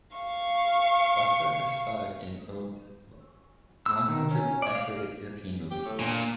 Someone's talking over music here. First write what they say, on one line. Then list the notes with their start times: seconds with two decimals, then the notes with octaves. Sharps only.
Buster has starred in over one hundred X-rated European movies.
0.16 F5 C#6
3.86 E6
4.08 D#3
4.31 C#4
4.62 D5
4.75 F5
5.71 G4
5.85 A2
6.00 A#2 D4